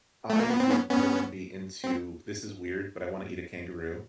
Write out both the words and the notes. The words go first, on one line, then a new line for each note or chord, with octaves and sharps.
I would really be into this is weird, but I wanna eat a kangaroo.
A3
A#3
B3
C4
B3 C#4
B3 C#4
C4